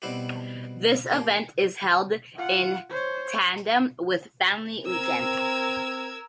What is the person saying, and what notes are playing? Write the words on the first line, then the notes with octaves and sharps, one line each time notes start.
This event is held in tandem with Family Weekend.
B2 G3 C4 E4 F#4 G4
A#1 A#3 G4
F4 F#5
C5 C#5
C4 A#4 E6 G#6